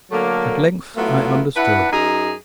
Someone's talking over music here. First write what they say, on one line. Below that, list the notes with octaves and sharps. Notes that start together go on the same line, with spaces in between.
At length I understood.
D3 F#3 A3 A#3
F#3 A3 B3 E4 F4
D4 E4 B4 F#5
F#2 D#4 G#4 A#5